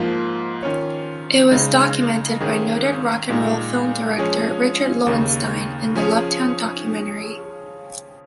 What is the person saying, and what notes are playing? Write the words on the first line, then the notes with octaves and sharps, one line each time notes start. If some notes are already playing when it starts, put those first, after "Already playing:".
It was documented by noted rock'n'roll film director Richard Lowenstein in the "LoveTown" documentary.
Already playing: G#2 F3 A#3 F4
D#3 C#4 F4 C#5
C#3 G#3 D#4
G#2 D#3 C#4 G#4
A#2 G#3 D#4
F3 G#3 C#4 G#4 C#5
D#2 C#3 A#3 D#4
F3 C#4 G#4 C#5